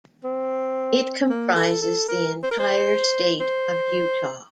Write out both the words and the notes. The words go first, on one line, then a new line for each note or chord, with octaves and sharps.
It comprises the entire state of Utah.
C4
A#3
A4
A4
A#4
C5
A#4
C5
C5